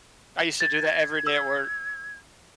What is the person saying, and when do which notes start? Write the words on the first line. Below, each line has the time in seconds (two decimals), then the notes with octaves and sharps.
I used to do that every day at work.
0.60 G#6 A6
1.27 E6